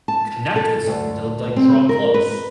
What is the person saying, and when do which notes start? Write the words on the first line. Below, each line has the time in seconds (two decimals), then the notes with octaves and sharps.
connect with someone, du like, draw close.
0.08 A5
0.56 A4
0.87 D2
1.56 C4
1.89 A#4
2.14 B4